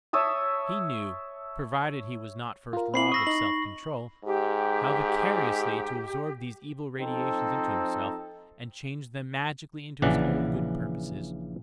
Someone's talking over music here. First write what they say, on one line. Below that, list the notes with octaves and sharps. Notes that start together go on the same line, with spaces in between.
He knew--provided he was not first robbed of self-control--how vicariously to absorb these evil radiations into himself and change them magically into his own good purposes.
C#5 E5 A5 D#6
F4 A#4
C4 E4 B5 C7 F#7
C#6 D#6 E6 A#6
D#4 F#7
G#2 G4
F3 C4 D#4 A4
A#1 C#3 E3 D5 F#5